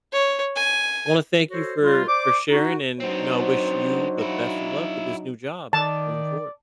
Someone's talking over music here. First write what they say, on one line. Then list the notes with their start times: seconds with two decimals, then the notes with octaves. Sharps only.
I wanna thank you for for sharing and, you know, I wish you the best of luck with this new job moving forward.
0.12 C#5
0.56 G#5
1.50 F#4 A4 C5 C#5
1.81 G3 F4
2.07 C5 D5 D6
2.51 D#4 F#4
3.00 F#3 B3 C4 D4 D#4 C5
4.18 E4 F#4
5.73 D#3 D5 A5